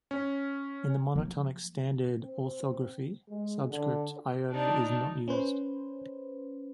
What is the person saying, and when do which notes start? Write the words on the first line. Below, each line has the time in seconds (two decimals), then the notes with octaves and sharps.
In the monotonic standard orthography, subscript iota is not used.
0.11 C#4
1.16 F3 F#3 A#3
2.20 C4
3.29 G#3
3.71 D3
4.53 D4 D#4
5.28 C#4 B4 C5